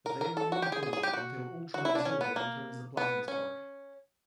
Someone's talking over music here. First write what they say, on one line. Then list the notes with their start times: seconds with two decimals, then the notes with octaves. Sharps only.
They remain frozen until Ultraman Zero returns The Plasma Spark.
0.06 A#4
0.21 A#4
0.37 A4
0.52 F#4
0.62 G4
0.72 G#4
0.83 G#4
0.93 G#4
1.03 G4
1.13 F#4
1.74 F#4
1.85 E4
1.95 D4
2.05 C#4
2.21 B3
2.36 A#3
2.97 B3
3.28 C#4